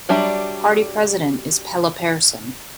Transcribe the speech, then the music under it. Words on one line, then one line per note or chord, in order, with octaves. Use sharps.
Party president is Pelle Persson.
F#3 G3 D4 E5 B5